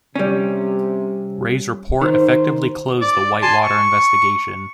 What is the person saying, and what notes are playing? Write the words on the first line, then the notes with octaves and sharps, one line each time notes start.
Ray's report effectively closed the Whitewater investigation.
C3 G3 C#4
D#3 C5
D5
G#5 A5 C6
C#6